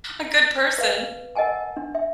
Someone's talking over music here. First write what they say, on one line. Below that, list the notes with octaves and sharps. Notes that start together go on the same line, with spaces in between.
A good person.
B4 F5
A#4 D#5 F#5 G#5 A5
D4
E5